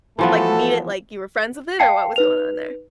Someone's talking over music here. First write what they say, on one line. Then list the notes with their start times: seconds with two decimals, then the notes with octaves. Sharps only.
like, meet it like you were friends with it, or what was going on there?
0.19 E3 F3 A3 B3 F#4 A4
1.79 F5 G5 A5 C7 C#7
2.16 D#4 B4 F7